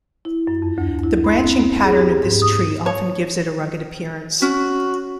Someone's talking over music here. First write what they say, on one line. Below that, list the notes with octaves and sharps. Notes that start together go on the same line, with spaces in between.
The branching pattern of this tree often gives it a rugged appearance.
E4
F#2
F2
D2
E4
B5
C4
B3
G#4
G4
G#2
D#6
C#5
C#4 F#4